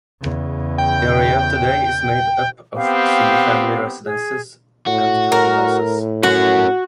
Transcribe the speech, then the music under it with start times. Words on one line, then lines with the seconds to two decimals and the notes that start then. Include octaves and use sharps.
The area today is made up of single-family residences and townhouses.
0.20 E2 C#3
0.78 G5
2.76 B3 C4 G4 F5
4.05 G#4
4.87 A2 F#4
5.32 A#4
6.23 C#4 F#4 A#4